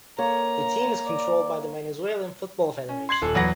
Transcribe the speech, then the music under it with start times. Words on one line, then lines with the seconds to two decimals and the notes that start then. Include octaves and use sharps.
The team is controlled by the Venezuelan Football Federation.
0.18 A#3 C#5 A#5
1.06 D5
2.89 C#4
3.09 C6 G#6 C7 F#7
3.22 D#1 A4
3.35 E2 F#3 B4 F#5 A#6